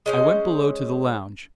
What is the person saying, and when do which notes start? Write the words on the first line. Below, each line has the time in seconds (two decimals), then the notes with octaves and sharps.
I went below to the lounge.
0.06 G#3 C#4 C5